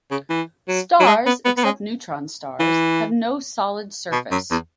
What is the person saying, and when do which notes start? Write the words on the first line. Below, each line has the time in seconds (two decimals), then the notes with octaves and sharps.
Stars, except neutron stars, have no solid surface.
0.11 C#3
0.30 E3
0.68 F#3
1.00 F#3
1.07 G#3
1.26 B3
1.45 B3
1.57 B3
1.64 G#3
2.60 E3
4.12 B2
4.31 F#2
4.51 E2